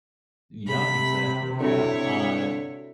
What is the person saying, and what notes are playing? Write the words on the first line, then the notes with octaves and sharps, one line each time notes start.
Yeah, exactly, yeah, uh
C3 B5
D3 C4 E4 F#4 A4 C#5